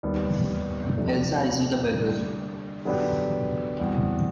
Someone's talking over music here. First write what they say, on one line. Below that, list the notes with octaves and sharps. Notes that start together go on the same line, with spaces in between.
Elsa isn't a beggar!
D#2 D#3 G3 B3
F2 C3 F3 A3 D4
D3 G3 A#3
D3 F#3 B3 D4 G4
E2 B2 G3 C4